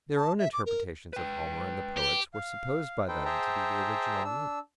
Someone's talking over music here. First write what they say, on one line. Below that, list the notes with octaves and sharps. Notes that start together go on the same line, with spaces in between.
Their own interpretations of Homer and the poets were supposed by them to be the original meaning.
A5
E5
D6
A#4
B4 G5
G4
F5
D#4 A4 B4 C5 G5
G#4 C5 E5 G5 A5 A#5
D4 E6